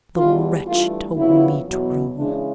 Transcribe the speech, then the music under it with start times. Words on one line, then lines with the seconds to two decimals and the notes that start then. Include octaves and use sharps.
The wretch told me true.
0.17 E2 B2 G3 F4
0.67 G2 E3 A3 F4
1.17 F2 C#3 F#3 B3 E4
1.67 E2 B2 F#3
2.17 C#3 E3 G#3 D4